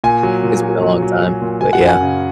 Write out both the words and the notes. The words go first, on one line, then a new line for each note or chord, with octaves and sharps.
it's been a long time, but yeah.
A#2 G#5
F#3
A#2
F#3
F#3
F#3
F#3
A#2
F#3 G#5
F#5
F#2
G#5
C#3